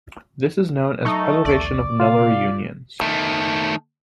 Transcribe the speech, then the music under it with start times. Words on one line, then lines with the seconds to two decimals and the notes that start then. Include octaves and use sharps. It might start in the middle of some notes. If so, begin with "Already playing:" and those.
This is known as preservation of nullary unions.
1.05 F#3 A3 D#4 C#6
1.45 A#1 D#2 D5
2.00 C3 F4 F5
3.01 D#3 A3